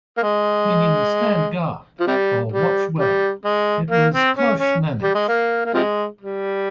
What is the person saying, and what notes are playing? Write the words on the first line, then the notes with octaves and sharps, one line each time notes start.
Meaning "stand guard", or "watch well", it was "Kloshe Nanitch".
A#3
G#3
F3
C3 G3
G3
G3
G#3
A#3
C4
C#4
C#4
G3
G#3
A#3
A#3
C3 F3 G#3
G3